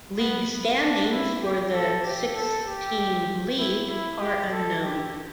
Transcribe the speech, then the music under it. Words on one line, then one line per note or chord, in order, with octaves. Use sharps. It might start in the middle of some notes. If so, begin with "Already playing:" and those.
League standings for the six–team league are unknown.
B3
D4
E4
G4
A4
G4
A4
G4
E4
E4
G4
A4
G4